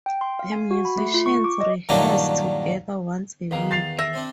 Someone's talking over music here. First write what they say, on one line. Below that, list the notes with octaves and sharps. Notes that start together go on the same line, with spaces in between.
The musicians rehearse together once a week.
G5
C6
F5
G#5
F#4
B5
A3
F4
C#6
D6
D#5
G2 A#2 D#3 F#3 C#4 D4
E2 D#3 B4 F5 A#5
A6 C7 F7
E5 A#6
C3 C4 D4